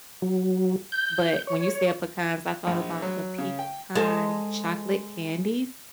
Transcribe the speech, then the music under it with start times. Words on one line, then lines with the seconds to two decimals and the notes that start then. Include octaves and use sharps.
but when you said pecans, I thought about the pecan chocolate candies?
0.22 F#3
0.92 G6
1.47 C#5
2.67 A#1
3.02 F#3
3.38 C#3
3.59 G5
3.95 G#3 A4 C5